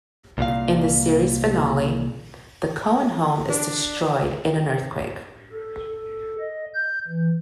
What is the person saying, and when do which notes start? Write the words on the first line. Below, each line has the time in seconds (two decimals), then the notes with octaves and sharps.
In the series finale, the Cohen home is destroyed in an earthquake.
0.38 C2 A#2 F5
3.50 D4
5.52 A4
5.87 A4
6.40 D#5
6.74 G6
7.08 E3